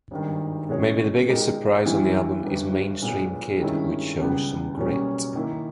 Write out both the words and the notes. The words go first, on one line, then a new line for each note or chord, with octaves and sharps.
Maybe the biggest surprise on the album is "Mainstream Kid," which shows some grit!
G#1 G2 D#3
B2 G#3 C#4 G#4 C#5
A#2 G#3 D#4 G4 A#4
G2 E3 G3 B3 E4
G1 G2 G3
B1 A#2 G#3 B3
G2 D#3 G#3 C#4 E4
C#2 C#3 G3 B3 G4
B1 B2 G3 A#3 C#4
D#3 A#3 E4